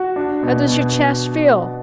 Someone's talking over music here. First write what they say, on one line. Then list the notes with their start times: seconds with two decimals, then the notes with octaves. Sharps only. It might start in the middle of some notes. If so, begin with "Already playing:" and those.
"How does your chest feel?"
Already playing: F#4
0.16 D4
0.43 B2
0.68 B2